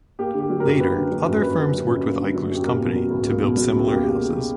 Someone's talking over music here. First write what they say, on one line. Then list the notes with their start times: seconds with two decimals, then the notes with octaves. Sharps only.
Later, other firms worked with Eichler's company to build similar houses.
0.19 A#3 G4
0.34 D3
0.40 G4
0.50 F#3
0.60 A#4
0.66 F#2
0.80 A#3 B4
0.96 D3
1.11 F#3
1.27 F#2
1.41 A#3 B4
1.58 D3
1.73 F#3
1.88 F#2
2.03 A#3
2.19 D3
2.34 F#3
2.49 F#2 G4
2.64 A#3 A#4
2.80 B2
2.95 F#3
3.10 C#2
3.27 A#3
3.42 B2
3.56 F#3
3.73 C#2
3.88 A#3 G4